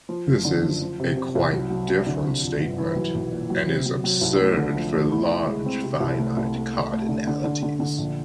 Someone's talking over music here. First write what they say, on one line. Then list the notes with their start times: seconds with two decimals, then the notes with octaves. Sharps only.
This is a quite different statement, and is absurd for large finite cardinalities.
0.09 F3
0.27 F#1
0.45 D3
0.63 F3
0.81 F3
1.00 C3
1.17 C3
1.35 C2
1.53 F#3
1.70 F#3
1.88 F#3
2.07 D3
2.25 C3
2.42 F2
2.60 G1
2.78 E3
2.96 F#3
3.14 B1
3.31 A#2
3.50 F#3
3.68 C3
3.85 F#3
4.04 F#3
4.21 C2
4.40 A3
4.57 D3
4.75 F3
4.94 A3
5.11 E4
5.30 E4
5.47 G#3
5.66 C4
5.83 C3
6.00 C2
6.18 A3
6.37 C2
6.55 A3
6.73 A3
6.91 A3
7.09 D3
7.27 D3
7.44 D3
7.63 D3
7.80 D3
7.98 A#1